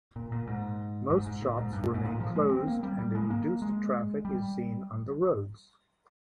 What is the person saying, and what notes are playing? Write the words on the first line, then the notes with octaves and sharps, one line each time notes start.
Most shops remain closed and a reduced traffic is seen on the roads.
A#2
A#2
G#2
G#2
G#2
A#2
G#2
G2
G#2
G#2
A#2
F3
G#3
C4
A#3
G3
G3
G#3
A#3
G#3
G3